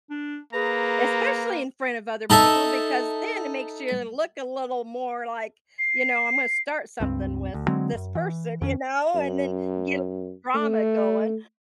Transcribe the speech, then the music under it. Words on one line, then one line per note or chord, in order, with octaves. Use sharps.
Especially in front of other people because then it makes you look a little more like, you know, "I'm gonna start something with this person," you know, and then get a little drama going.
D4
A#3 G#4 B4 A#5
D#4 A4 E5
C7
C#2 G2 C4
D2
D3 F#3 G#3 C4
D#1 F#2
E3
F2 D#3 C#4
F#2
A3